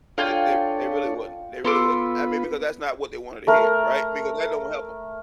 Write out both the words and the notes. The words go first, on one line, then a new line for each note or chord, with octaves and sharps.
They they they really wouldn't. They really wouldn't. I mean, because that's not what they wanted to hear, right, because that don't help 'em.
D4 F4 A4 C#5 G5 G#5
B3 F4 A4 B4 C6 D6
A3 A#4